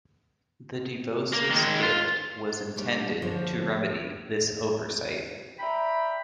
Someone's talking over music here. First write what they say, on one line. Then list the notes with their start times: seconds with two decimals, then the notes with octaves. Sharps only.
The DeVoses' gift was intended to remedy this oversight.
1.33 A#3
1.50 D#3 G#3
1.83 F4
2.76 G3 A3 D4 C#5
3.22 D3 F3 C5 C#5
5.60 D5 E5 G5 A#5 B5